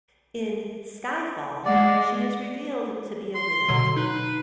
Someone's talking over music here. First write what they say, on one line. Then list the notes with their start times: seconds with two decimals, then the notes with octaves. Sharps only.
In "Skyfall" she is revealed to be a widow.
1.65 G#3 D5 F#5
3.35 C6
3.69 B2 D3 F#3
3.96 D#4 B4